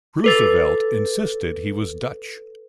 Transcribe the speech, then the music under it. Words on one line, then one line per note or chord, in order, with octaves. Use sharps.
Roosevelt insisted he was Dutch.
A4 B4 A6